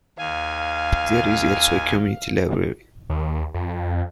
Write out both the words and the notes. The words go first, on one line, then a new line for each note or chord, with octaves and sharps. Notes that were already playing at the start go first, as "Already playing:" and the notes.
There is also a community library.
D#2 F5 G#5
D#2
F2